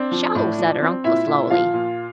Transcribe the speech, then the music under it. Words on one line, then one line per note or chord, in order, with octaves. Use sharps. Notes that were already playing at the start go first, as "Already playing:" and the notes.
"Sho!" said her uncle, slowly.
Already playing: C4 D4
F3
A2
F3
C4
A#2 E4 E5
A#2
F3 F4 F5
A#2